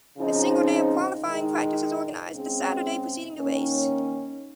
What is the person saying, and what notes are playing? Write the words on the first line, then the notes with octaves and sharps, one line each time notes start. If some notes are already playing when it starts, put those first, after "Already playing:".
A single day of qualifying practice is organized, the Saturday preceding the race.
C#3 F3 C4 D#4
D#3 G#3 D#4
C#3 G#3 C4
D#3 A#3 C#4